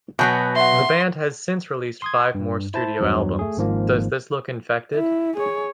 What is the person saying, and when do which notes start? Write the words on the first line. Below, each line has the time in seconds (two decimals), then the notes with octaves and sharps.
The band has since released five more studio albums: Does This Look Infected?
0.19 B2 F#3 B3 G#5 A5 G6
0.56 E5 F#5 C6
2.02 C6 D#6 G#6
2.35 G2
2.74 E4 C5 A5
3.00 E2 G2 F#3
3.39 A3 G#4
3.57 G#1 G#2 F3 A#3
4.95 E4
5.36 G#4 C#5